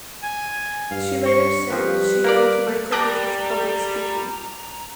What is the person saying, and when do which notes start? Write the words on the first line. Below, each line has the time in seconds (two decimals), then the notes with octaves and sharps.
She later said she helped Michael with his public speaking.
0.23 G#5
0.91 G2 F5
1.26 C#6
1.70 F2 F3 G3 B4
2.24 A#3 A#4 D5
2.92 G3 G5 A5 A#5 D6 F#6 A#6